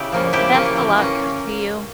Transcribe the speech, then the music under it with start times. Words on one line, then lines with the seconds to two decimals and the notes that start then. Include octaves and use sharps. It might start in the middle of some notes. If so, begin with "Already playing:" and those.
But, the best of luck to you.
Already playing: C#3 E4 G4
0.12 F3 A#3 C#4
0.33 F3 E4 G4
0.54 A#3 C#4
0.76 E3
0.98 A#3 C#4